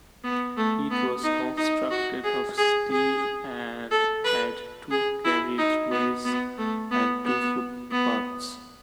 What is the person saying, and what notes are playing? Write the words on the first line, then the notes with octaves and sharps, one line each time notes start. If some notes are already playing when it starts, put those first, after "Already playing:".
It was constructed of steel and had two carriage ways and two footpaths.
B3
A3
B3
D#4
D#4
F#4
G#4
G#4
G#4
A4
B4
G#4
E4
D#4
B3
B3
A3
B3
B3
B3